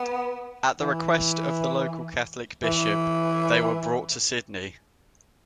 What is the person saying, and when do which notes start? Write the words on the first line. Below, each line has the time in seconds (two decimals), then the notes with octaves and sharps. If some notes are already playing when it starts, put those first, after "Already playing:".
At the request of the local Catholic bishop, they were brought to Sydney.
Already playing: B3
0.80 E3
2.64 E3